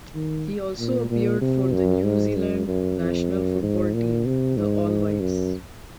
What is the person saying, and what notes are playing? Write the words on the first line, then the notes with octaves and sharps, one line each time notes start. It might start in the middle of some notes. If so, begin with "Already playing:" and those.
He also appeared for the New Zealand national football team, the "All Whites".
D#3
A#2
A#2
C3
F#2
G#2
F#2
F#2
F2
F#2
G#2
A#2
C3
G#2
F#2